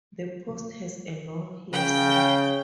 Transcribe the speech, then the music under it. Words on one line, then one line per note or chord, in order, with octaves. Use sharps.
The post has a long history.
C#3 G5